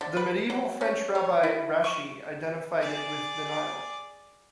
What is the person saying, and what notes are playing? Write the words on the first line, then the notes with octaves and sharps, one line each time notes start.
The medieval French rabbi Rashi identified it with the Nile.
D3
B4
F#3
C#4
C#5
E4
C#6
G#4 D5